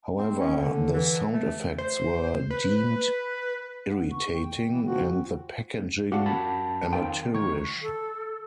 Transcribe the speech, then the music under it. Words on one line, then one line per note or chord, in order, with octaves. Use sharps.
However, the sound effects were deemed irritating, and the packaging amateurish.
C4
C#4
D3
E3
A3
C5
B4
F#5
C#6
G5
E3
G#2 F3 F#4
D4 F#4 G4 F5 F#5
F#2 A5 B5
D#3 C4 F4 G5
D#3 C#6 G#6
A4